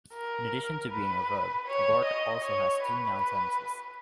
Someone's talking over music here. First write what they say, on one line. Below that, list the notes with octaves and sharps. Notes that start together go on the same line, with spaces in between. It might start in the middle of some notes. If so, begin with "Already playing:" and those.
In addition to being a verb, abort also has two noun senses.
A#4
B4
C#5
D#5
C#5
B4